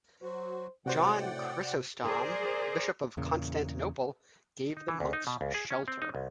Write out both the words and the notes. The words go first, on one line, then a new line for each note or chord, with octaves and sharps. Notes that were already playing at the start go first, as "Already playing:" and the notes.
John Chrysostom, Bishop of Constantinople, gave the monks shelter.
F#3 F#4 C5
A2 C3 F#4 C5 D5 F#5 G5
G#4 A#4 C5 D5
E2 A#2 C#3
D#4
E3
D2
D#4
B2
C#2
G#4
C#4
C4
D#4
C2